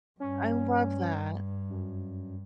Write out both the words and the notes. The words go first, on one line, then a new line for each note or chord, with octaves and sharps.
I love that.
G2 C#4
F#2